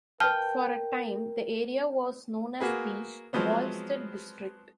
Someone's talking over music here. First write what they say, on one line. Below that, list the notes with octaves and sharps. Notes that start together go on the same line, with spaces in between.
For a time the area was known as the "Olstead District".
A#4 B4 G5 A5 F6
A#3 F#4 G#4 B4
F3 F#3 G#3 B3 C4